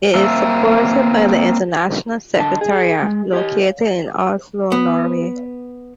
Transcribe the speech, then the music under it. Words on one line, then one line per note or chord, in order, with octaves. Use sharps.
It is supported by the international secretariat, located in Oslo, Norway.
A#3 C4 E5
D3 D#5 A5
G#4
G#3
G4 C#5 D#5
B3